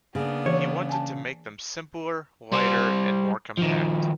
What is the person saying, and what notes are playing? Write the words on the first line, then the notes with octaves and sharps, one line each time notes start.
He wanted to make them simpler, lighter, and more compact.
C#3 A#3 B3 D4
E3 C#5
G#5 A5
G3 C5
D#3 F3